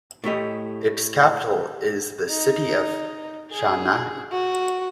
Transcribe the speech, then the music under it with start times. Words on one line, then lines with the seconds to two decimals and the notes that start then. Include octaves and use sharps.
Its capital is the city of Chania.
0.24 A2 A3 G4 D#5
2.30 D#4
3.52 G#4
4.32 F#4